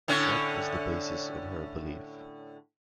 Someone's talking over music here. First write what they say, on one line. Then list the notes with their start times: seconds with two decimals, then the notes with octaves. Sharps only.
What is the basis of her belief?
0.08 A2 D3 C#4